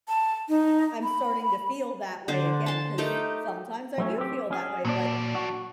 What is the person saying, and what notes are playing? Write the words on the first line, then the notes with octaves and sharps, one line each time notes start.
I'm starting to feel that way again, 'cause sometimes I do feel that way, but
A5
D#4
B5
D3 D4 C5
A5 C6
A3 D#4 G4 A#4
F#3 A3 C#4
C4 G4
C#4 G#4
A#2 F#3 D4 D5
F#4